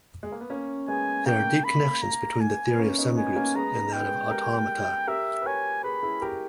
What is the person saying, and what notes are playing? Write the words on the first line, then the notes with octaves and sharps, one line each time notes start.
There are deep connections between the theory of semigroups and that of automata.
G#3
A#3
B3
A#3 C#4
G#3 B3 G#5
A#3 G5
B5
A#5
G#5
B3
A#3 C#4
B3 D#4
B3 D#4 G#5
A#3 C#4
G#3 B3 A#5
G#3 B3 G5
G4 A#4
G4 A#4 E5
B4
A#4 C#5 G#5
G#4 B4 B5
E4 G#4
G4 A#4